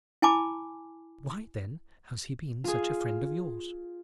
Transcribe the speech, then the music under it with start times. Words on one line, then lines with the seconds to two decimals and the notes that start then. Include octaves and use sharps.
"Why, then, has he been such a friend of yours?"
0.22 E4 G#5 A5 B5 D6
2.64 F4 G#4